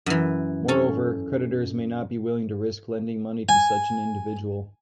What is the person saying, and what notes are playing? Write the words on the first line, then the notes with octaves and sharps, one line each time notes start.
Moreover, creditors may not be willing to risk lending money to such an individual.
F#2 E3
C#4 A4
G#5